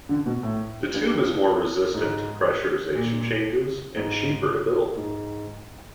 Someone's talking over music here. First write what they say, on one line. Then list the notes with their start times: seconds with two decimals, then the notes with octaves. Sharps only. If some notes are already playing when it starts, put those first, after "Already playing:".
The tube is more resistant to pressurization changes and cheaper to build.
0.09 D3
0.26 B2
0.43 A2
0.94 G2
1.94 G#2
2.95 A#2
3.96 G#2
4.96 G#2